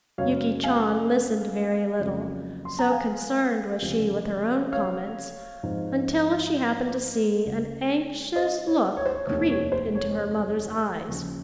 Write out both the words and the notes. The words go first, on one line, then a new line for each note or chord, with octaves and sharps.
Yuki Chan listened very little, so concerned was she with her own comments, until she happened to see an anxious look creep into her mother's eyes.
F#2 C#3 G#3 C#5 F5
F5 G#5
F2 C#3 F#3 A#3
C6
A#5
F5 G#5
C#2 C3 F3 C4
C#5 F5
G#2 F3 C4
C#2 C#3 G#3
C5 D#5
C#5
C#5
C5
C#5
F1 D#2 D#3 C#5
C#5
C5
C#5
D#2 C#3 F3